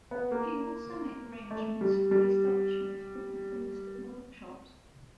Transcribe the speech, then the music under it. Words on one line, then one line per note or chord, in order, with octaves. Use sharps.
He also made arrangements for the establishment of the first workshops.
B3
A#3
A3
G3
G3